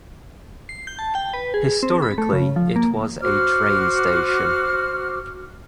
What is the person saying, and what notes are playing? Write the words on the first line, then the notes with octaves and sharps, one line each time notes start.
Historically it was a train station.
C7
G6
A5
G5
B4
G#4
C4
B5
A3
C#3
F3
A#3
F#4 C5 D6 F6